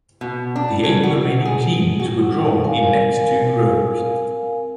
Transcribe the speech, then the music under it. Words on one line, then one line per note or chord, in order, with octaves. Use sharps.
The eight remaining teams were drawn in next two rows.
B2
D4
C#3
F#4
G#4
F#4
C4 A#4 F5 G#5